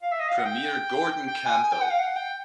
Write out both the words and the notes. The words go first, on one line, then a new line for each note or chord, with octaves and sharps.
Premier Gordon Campbell.
F5
E5
D#5
F5
F#5
G5
G5
G#5
G#5
G5
F#5
F5
F#5
G5